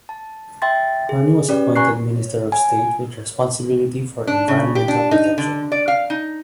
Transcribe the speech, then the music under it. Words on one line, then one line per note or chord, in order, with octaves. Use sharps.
Harney was appointed Minister of State with responsibility for Environmental Protection.
A5
E5 G5 C6 A6
G#4
C#4 G4 B4 D5
G#5 A#5 C#6 F#6 C7
G#5
D4
C#3
G4
D4
D#4
D3
D5
F5
D#4